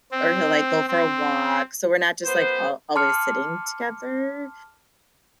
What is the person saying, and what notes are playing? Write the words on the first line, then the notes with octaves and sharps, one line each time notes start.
or he'll, like, go for a walk. So we're not just, like, al always sitting together,
C4
C4
F#2 B3 B4 C5
A5 C6 D6 F6 C#7